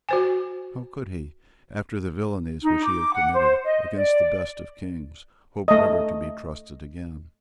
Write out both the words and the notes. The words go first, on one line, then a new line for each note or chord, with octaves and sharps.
How could he, after the villanies which he had committed against the best of Kings, hope ever to be trusted again?
F#4 C5 G#5
D#4
D6
F#5
C5
D#5
D5
A3 D#5